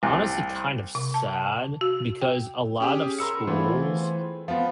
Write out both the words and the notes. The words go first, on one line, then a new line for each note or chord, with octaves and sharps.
honestly kind of sad, because a lot of schools
C2
C3
A5
F#4
G5
C#4 G4 G#4
G#4 A#4 B5 C6 E6 C#7
E3 A3 B3 C4 F4
G#4 C5
F3 B3 F4 F5